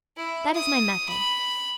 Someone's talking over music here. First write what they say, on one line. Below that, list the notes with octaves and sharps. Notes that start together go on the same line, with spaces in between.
That is my method.
E4
D#6
B5